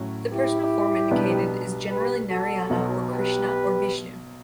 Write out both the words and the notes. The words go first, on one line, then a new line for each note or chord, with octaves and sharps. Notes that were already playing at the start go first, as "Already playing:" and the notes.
The personal form indicated is generally Narayana, or Krishna, or Vishnu.
Already playing: A2 F#3 C#4 F#4
E4 G4
B1 B2 G3 B3 D4
G4 B4
F#4 A4
B1 B2 F#3
G4 B4